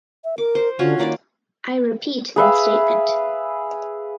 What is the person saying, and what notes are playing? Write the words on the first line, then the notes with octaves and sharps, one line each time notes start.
I repeat that statement.
E5
A#4 D6
C5
D3 C#4 F4 F#4
D#3 A#3 E4 D5
G#4 B4 E5 F5